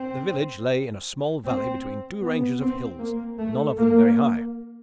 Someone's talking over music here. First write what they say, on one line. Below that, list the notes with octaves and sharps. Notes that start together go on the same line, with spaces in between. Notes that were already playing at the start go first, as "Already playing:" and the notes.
The village lay in a small valley between two ranges of hills, none of them very high.
Already playing: C4
C4
B3
C4
A#3
A3
A#3